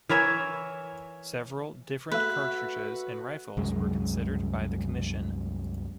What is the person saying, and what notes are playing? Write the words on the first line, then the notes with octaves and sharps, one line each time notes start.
Several different cartridges and rifles were considered by the commission.
E3 A#4 C#5 E5
A3 F#4 B4 E5
C2 F#2 G#3